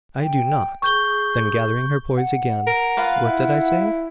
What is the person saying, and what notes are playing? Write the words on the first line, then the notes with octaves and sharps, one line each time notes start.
"I do not!" Then gathering her poise again, "What did I say?"
G5
G#4 C#6 G6 G7
F#5
A#4
F4 B4 F5
E4